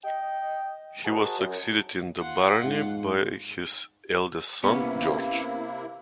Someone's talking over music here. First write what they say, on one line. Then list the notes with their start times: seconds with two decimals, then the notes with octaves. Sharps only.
He was succeeded in the barony by his eldest son, George.
0.04 D#5 G5
1.05 F#4 G#4 A#4 C5 D#5 A5
1.39 F#2
2.19 F4 F#5
2.65 G#2
4.64 C3 A#3 B3 C#4 E4